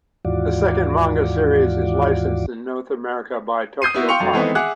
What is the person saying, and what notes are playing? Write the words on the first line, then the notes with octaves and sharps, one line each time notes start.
The second manga series is licensed in North America by Tokyopop.
D#2 G#2 E3 F4 F#4 D5
D#6 G6 C7 D#7
B3 E4 F#4
F5 G5 C6 C#6 C#7 F7
F#2 F#3 A3 D4
D#3 E3 G#3 A3 B3 C4
G#4 E5 F#5 D6 F#6